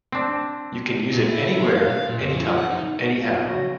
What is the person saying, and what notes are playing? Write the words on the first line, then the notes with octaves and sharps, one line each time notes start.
You can use it anywhere, anytime, anyhow.
C4 D4
A#2
E4
E4
G#3
F5
F5
A#2
F2
E3
F3
F#5
D#4
B2
B1 A#2 F3
C#3 F#3 F#4 C#5 A#6